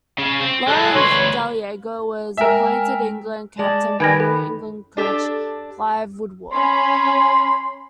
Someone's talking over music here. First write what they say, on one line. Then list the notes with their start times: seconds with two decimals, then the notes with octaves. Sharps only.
Lawrence Dallaglio was appointed England captain by new England coach Clive Woodward.
0.18 C#3
0.41 C4
0.68 F#3 G#3 A4 F#6
0.95 D2 B4 C#5 C6
2.37 G#3 A#4 E5 G5 G#5
3.59 G#3 D5 A5
4.00 D#3 B4 G#5 G#6 A#6
4.20 A4
4.97 D4 G4 A4
6.52 C#4 B5 C6